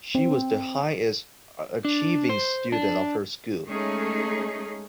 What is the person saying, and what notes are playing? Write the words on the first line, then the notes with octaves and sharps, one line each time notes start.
She was the highest achieving student of her school.
C4
D4
C5
D4
G#3 A3 C#4 D#4 G#4